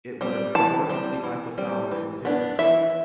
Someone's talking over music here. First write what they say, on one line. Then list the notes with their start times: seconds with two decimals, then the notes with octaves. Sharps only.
It would have dwarfed the Eiffel Tower in Paris.
0.21 G3 C4
0.55 E3 A5
0.89 G3 C4
1.24 E3
1.58 G3 C4
1.91 E3
2.25 B3 D4
2.59 E3 E5